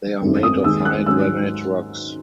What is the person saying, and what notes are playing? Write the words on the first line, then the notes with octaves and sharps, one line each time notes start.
They are made of high granite rocks.
G#1 F#2 D#3 A3 C4
D#6
D#2 D#3 G#3 E6
F#6
G#2 D#3 F#3 C#4 E6